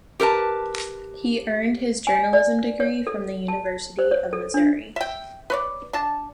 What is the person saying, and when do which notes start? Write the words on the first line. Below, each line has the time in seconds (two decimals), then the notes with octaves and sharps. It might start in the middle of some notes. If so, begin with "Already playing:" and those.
He earned his journalism degree from the University of Missouri.
0.20 G4 A#4 B4 A5
2.07 G#5
2.33 D5
2.80 C#5
3.07 A4
3.48 A5
3.99 C5
4.11 C#5
4.33 A4
4.54 D4
4.96 E5 G5
5.50 B4 C#5 D5
5.93 D4 A5